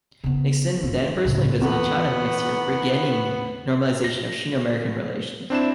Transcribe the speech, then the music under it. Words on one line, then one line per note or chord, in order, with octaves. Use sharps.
Nixon then personally visited China the next year, beginning the normalization of Sino-American relations.
C#3 B3
G2 A3
C#2 A2
E2 B3 A4
A#6
C4 D4 E4 E7